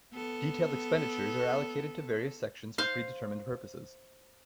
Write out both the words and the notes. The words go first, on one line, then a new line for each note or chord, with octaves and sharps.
Detailed expenditures are allocated to various sections for pre-determined purposes.
B3 A4
C5 F5